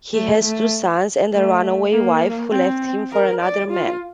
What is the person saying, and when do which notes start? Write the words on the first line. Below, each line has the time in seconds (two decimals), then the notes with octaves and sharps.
He has two sons and a runaway wife who left him for another man.
0.14 A3
0.43 A3
1.33 A3
1.92 A#3
2.51 C4
3.12 A#4
3.41 D5
3.71 F4